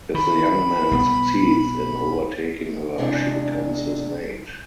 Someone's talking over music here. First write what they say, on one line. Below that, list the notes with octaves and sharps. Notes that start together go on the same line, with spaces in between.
If the young man succeeds in overtaking her, she becomes his mate.
D#3 B5
B1 G3 B3
E2 C3 G#3 D4